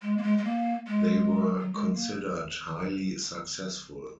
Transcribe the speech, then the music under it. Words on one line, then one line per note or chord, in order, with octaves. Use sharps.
They were "considered highly successful".
G#3
A#3
G#3
G#3
A#3
G#3
F#3
G#3
A#3